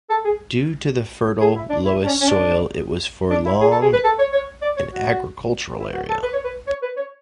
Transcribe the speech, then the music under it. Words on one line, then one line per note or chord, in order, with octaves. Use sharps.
Due to the fertile loess soil it was for long an agricultural area.
A4
G#4
G#4
E4
D4
E4
D4
C#4
C#4
D4
D4
E4
G#4
A4
G#4
B4
A4
C#5
C#5
D5
C#5
F#4
E4
F#4
A4
B4
C#5
B4
C#5
B4
C#5